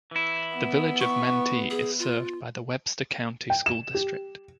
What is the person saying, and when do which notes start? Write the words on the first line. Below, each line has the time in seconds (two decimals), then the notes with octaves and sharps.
The Village of Mantee is served by the Webster County School District.
0.11 E3 E4
0.55 B3
1.00 C#6
1.70 G#4
1.99 F4
3.50 G5
3.66 E7
3.94 G4